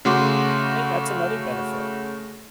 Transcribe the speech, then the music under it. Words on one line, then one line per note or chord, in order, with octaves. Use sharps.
Hey, that's another benefit.
C#3 A3 F#4 C6 D6